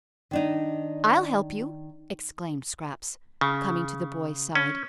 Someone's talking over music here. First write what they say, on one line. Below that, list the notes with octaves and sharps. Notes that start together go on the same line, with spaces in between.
"I'll help you," exclaimed Scraps, coming to the boy's side.
D#3 D4 D#4
C#3
C#4